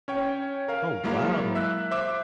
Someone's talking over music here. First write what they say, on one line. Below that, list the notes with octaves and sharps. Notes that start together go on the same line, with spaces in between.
Oh, wow.
C#4 C#5 G5
A#4 F5
F#3 G#3 A#3 E4 A#4 F5
E5 E6 F#6
C5 E5 D6